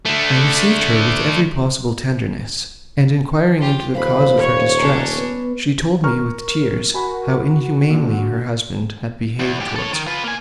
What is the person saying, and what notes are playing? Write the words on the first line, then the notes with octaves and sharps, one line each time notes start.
I received her with every possible tenderness, and inquiring into the cause of her distress, she told me with tears how inhumanly her husband had behaved towards her.
D3 A3
F4 G4
D#1 B4 C5 F5 G#5 B5
C#5
C#4 D4 A#5
B3 B4
A#4 A#5 C#6 F6
F#4 G#5 B5
A#2 D3
E2
G#2 G4
A4 C#5
D#3
F4 B4
A#3 G#5